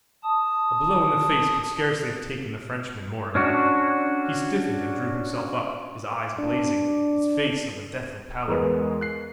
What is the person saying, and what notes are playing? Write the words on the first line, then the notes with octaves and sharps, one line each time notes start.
A blow in the face could scarcely have taken the Frenchman more aback. He stiffened, and drew himself up, his eyes blazing, his face of a deathly pallor.
A5 D#6
C#4 D4 F#4
D4
E2 G#3 G#4 A#4 B4
F#6 C7